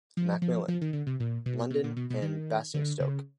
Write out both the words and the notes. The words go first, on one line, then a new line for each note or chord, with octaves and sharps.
Macmillan: London and Basingstoke.
F3
F3
F3
D#3
D3
C3
A#2
B2
B2
A#2
B2
B2
D#3
D3
C#3